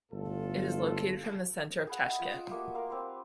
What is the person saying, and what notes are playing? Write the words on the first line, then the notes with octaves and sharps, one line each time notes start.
It is located from the center of Tashkent.
G1 A2 F4 A4
G#4 B4 F#5
D#5 E5 G5 G#5
F4
A3 A#3 F#4 G4
A#4 F5 C6
C4 B4 C5